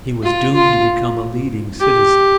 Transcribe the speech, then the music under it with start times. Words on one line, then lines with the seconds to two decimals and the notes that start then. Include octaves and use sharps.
He was doomed to become a leading citizen.
0.23 F4
0.55 F4
1.80 G4